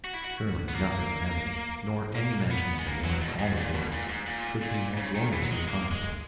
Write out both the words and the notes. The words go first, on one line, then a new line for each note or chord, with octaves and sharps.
Surely nothing in heaven, nor any mansion of the Lord in all his worlds, could be more gloriously carpeted.
F#4
E4
F#4
B3
A#3
A#3
B3
G#3
A#3
F#3
B2
G#2
A#2
B2
A#2
G#2
A#2
A#2
C#3
D#3
E3
F#3
G#3
A#3
G#3